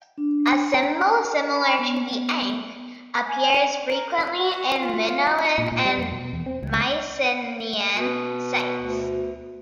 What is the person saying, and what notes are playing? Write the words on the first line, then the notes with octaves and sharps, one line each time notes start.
A symbol similar to the ankh appears frequently in Minoan and Mycenaean sites.
D4
A#5
B5
B3
G#5
A#4
F#4
F4
A#2
A#2
G3
F2
B2
E2
C4
C#2
B2
D2